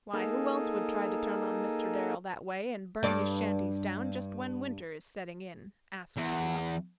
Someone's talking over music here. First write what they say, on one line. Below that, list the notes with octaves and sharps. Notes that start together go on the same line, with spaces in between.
"Why, who else would try to turn on Mr. Darrel that way, and burn his shanties down just when winter is setting in?" asked Bluff.
A#3 D#4 G#4 A4
G2 D5
E2